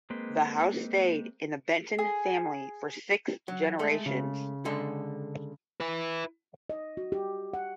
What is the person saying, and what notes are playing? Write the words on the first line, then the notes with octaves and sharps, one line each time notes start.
The house stayed in the Benton family for six generations.
G#3 A#3 C4 B4 C6
G#4
F#3
G#3 A3 A4
C#3
D3 G#3 A4
E4 B4
D#5
F#4
G4
F#5